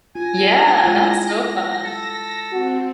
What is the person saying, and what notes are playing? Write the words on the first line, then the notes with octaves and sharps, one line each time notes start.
Yeah, that's so fun.
F4 G#5 A#6
G#3 E4 F4
A4
C4 F#4